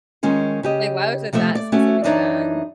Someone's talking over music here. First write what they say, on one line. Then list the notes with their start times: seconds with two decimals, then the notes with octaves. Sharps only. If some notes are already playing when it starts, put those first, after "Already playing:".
Like, why was it that specific bag?
0.23 D#3 G#3 C#4 F4
0.63 C#3 G4 D#5
1.33 C3 F3 A3 C5 E5
1.55 D5
1.72 A3 C#4 F#4
2.04 F#2 E3 D4 D#4 C#5 D5